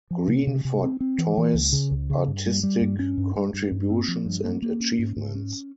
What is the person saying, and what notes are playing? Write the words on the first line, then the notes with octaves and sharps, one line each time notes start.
Green for Toi's artistic contributions and achievements.
F3
C3
C3
C3
C4
C4
E3
E3
C#2
C#3
C#2
C#3
G2
G3
G3
G2
C#4
G2
G2
G2
G2
C4
F3
G2
A#3
A#3
C#4
G#2
G#2
C#4